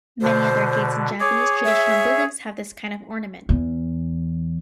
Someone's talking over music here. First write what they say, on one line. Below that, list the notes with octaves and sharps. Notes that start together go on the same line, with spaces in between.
Many other gates in Javanese traditional buildings have this kind of ornament.
B2 D3 C5
G#4 C#5 D6
E5
E2